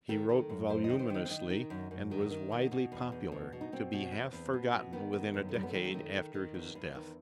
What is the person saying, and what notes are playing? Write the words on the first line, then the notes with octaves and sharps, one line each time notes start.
He wrote voluminously and was widely popular, to be half forgotten within a decade after his death.
D#3 A4
D#3
F#2
F#2 C5
D#5
D#3
C5
D#3 D#4
C4
D#3 D#4
D#3
F#2
F#2
D#3
D#3
B2
B2
E2
E2
B2
B2
D#4
B2 C4
B2
E2
E2
B2
B2
D#3 B3
D#3
F#2
A3
F#2 G3
B3
A3
D#3
A3
D#3
D#3
D#3
E2
E2
D#3